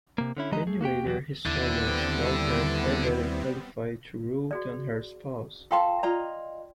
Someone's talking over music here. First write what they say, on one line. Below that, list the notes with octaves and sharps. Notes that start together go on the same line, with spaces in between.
Many later historians called her far better qualified to rule than her spouse.
C3 A#3
D3 C#4 E4
E2 E3 G#3 G4 D#5 A#5
A3 G#4
A#3 F#4 G4 G5
E2 F#3 F#4 G4
D#2 D3 G3 B3 C4 E4
F#4 G#4 D5
F4 A4 F5 G5 A5 C6
F4 D5 D#5 A#5